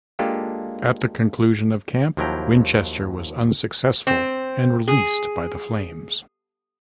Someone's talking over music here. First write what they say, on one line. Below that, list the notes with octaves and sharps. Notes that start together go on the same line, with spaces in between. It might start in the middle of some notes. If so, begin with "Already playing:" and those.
At the conclusion of camp, Winchester was unsuccessful and released by the Flames.
G#3 A#3 D4 F4 G4 A4
D#2 F3 F#3 E4 G5 A#5
C4
G#4